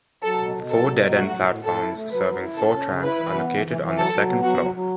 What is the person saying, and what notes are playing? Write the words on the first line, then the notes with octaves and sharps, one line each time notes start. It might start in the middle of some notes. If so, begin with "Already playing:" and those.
Four dead-end platforms serving four tracks are located on the second floor.
F#3 A4
B2
B2
F#3 A4
B2
F#3
A3 F#4
A2
A2
A2 A4
E4
A3
F#3 B4
F#3
E4
C#4 A4
C#4
C#3
E4 B4
E3
B3
E3
E3
E3
F#3 A4
F#3
B3
F#3 F#4
F#3
F#3